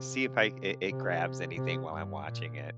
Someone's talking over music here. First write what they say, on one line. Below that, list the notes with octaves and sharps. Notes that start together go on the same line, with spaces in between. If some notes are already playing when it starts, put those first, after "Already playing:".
see if I it it grabs anything while I'm watching it.
Already playing: C3
C3
C3
G2
A#2